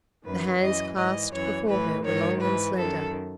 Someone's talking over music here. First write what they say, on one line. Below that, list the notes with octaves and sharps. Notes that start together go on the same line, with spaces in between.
The hands clasped before her were long and slender.
F#2 D#3 B4
F#2 E3 D#5
G#2 E3 D#5
F#2 E3 C#5
A2 E3 B4
G#2 D#3 C#5
G#2 E3 B4
F#2 D#3 A4